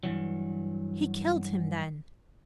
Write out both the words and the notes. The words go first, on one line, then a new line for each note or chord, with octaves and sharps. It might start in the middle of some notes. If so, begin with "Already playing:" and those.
'He killed him, then.'
G2 A#2 E3 F#3